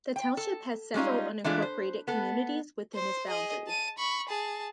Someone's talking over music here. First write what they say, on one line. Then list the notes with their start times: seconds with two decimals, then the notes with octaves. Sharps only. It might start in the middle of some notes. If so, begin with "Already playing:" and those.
The township has several unincorporated communities within its boundaries.
0.16 G5
0.37 A4
0.94 G3 G#3 C#4 D#4 F4
1.44 E3 G#3 A3 D4 E4 F4
1.62 C5
2.08 B3 A4
2.94 C5
3.27 G#4 D#5
3.67 A5 D#7
3.98 B5 C#6
4.28 G#4 A5